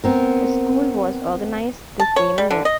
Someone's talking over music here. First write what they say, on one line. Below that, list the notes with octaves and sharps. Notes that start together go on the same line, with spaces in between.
A school was organized the same year.
B3 C4 A#4
A5
C#5
G3
D3
D#5